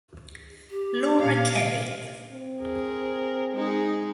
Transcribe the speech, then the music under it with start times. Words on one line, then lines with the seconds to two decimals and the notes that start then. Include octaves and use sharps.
Laura Kelly.
0.71 G4
1.19 A#2 F5
2.31 C4
2.62 G#4 A#4
3.53 G#3 D#4 G#4